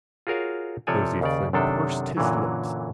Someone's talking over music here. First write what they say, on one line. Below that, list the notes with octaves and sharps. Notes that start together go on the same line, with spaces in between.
Nosey Flynn pursed his lips.
F4 F#4 G#4 A#4 C#5 F5
C3 F3 A4 C#5 D5 G#5
D#2 C#3 D5
F#2 C3 D#3 D4 A4
F#2 A#2 D3 E3 F#3